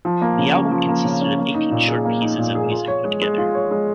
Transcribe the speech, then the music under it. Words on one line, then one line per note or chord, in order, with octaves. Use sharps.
The album consisted of eighteen short pieces of music put together.
F3
A#3
C#3
C#4
F3
A#3
C#3
C#4
A#3
D#4
A#2
G#4
A#3
D#4
A#2
G#4
F4
C#5
G#3
G#3
F4
C#5
G#3